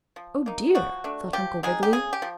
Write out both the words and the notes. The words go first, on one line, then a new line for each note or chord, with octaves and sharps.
"Oh, dear!" thought Uncle Wiggily.
F3
A#3 D#4
F3 F#4
A3 D4
F3 G4
G#3 C4 D#4 G#4
G4
C#3 G#4
G4
F3